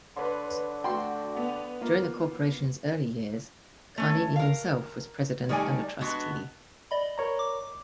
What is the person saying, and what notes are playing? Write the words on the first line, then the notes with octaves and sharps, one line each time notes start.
During the corporation's early years, Carnegie himself was president and a trustee.
D3 B4 C#5 C6
A3 F#4 G5 C6
B3 F7
A#3 F4
A3 C#4
A#4 F5
D#3 G3 A3 D5 G#5
G#3 B3 D4 F#4
D5 D#5 B5
A#4 C#5 A#5
D6